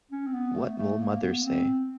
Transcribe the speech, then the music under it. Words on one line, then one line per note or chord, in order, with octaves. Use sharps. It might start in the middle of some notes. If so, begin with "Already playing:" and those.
What will mother say?
C#4
C4
B3
A3
A3
A#3
B3
C4